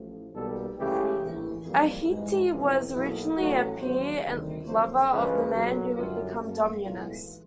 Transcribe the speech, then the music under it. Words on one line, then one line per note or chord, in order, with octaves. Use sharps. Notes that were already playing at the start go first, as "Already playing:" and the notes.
Ahti was originally a peer and lover of the man who would become Dominus.
Already playing: A1 A2 F3
B1 B2 G3 A#3 A4
C#2 C#3 E3 A3 G4
A#1 A2 E3
F2 C#3 E3 G3 A#3
G#2 E3 G#3
F2 C3 E3 F4
B1 B2 F#3 A#3 E4
A1 A2 F#3 F#4
D#2 C#3 F#3 C5
D2 C3 D#3 G3
F2 D3 F#3 A#3 C5
D2 C#3 F3 G#3 B4
B1 A#2 F#3
F#2 D3 G3 F4
F#2 C#3 F#3 A#3
B1 A2 E3 G#3 F4